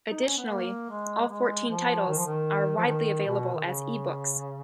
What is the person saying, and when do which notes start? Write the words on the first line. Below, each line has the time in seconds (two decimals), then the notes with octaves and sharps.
Additionally, all fourteen titles are widely available as ebooks.
0.10 D#4
0.24 C#4
0.37 B3
0.49 A#3
0.90 G#3
1.29 G#3
1.69 F3
2.08 D#3
2.18 F3
2.26 D#3
2.77 F3
2.86 D#3
3.27 B2
3.54 D#3
3.65 C#3